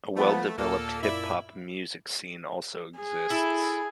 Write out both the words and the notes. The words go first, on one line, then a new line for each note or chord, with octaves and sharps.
A well-developed hip hop music scene also exists.
F3 A3 B3
D#2 A#2 A#3 A4
F#2 E4 D5
G#4
E4 A4